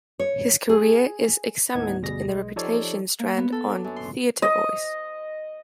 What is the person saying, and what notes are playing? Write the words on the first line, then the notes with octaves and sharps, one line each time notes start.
His career is examined in the Reputations strand on "TheatreVoice".
C#5
G#4
D#2 A2 B3 D#4 F#5 G#6
G1 D2 B2 G3 G#4 A#6
B1 G#3
F3 D#4 G4 A4 C#5 D5
A#3
B3
A4
D4
F#2
C6
D#5